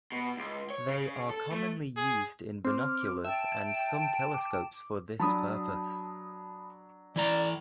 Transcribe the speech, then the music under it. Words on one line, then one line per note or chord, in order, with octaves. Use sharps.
They are commonly used in binoculars and some telescopes for this purpose.
B2
C#2
C#5
C#3
A4
A3
G#4
C4 D6 F6
E5 G5 A5
D6
F#3 D4 A5 B5 D#6
E3 E4 D5 A#5